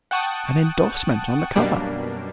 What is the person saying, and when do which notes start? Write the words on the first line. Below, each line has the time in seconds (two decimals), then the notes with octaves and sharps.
An endorsement on the cover!
0.11 F#5 G5 A5 C#6 D#6 F#6
1.55 F#2 B2 G3 A#3 D4